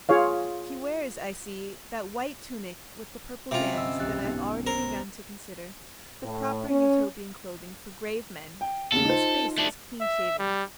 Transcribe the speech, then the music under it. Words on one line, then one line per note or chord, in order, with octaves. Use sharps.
He wears, I see, that white tunic with the purple band that I have already begun to consider the proper Utopian clothing for grave men, and his face is clean shaven.
F4 G#4 C#5 F5
C3 G#3 C#4 F4
G1 B3 D#5 B5 E6
B1 G4 F#6 A6 C#7
B3 D#4
B3 A#4 C5
A2
C#4
G5
D#2 C#3 A4
D#4 F4 C5
A3 D4
E5
G3